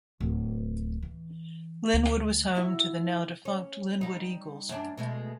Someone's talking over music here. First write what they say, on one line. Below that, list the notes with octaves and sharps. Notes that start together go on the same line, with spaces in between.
Lynnwood was home to the now defunct Lynnwood Eagles.
D1
E3
D2
E4 F#4
C#4
G3 D#4
F#2 D4
B2 G#3 A3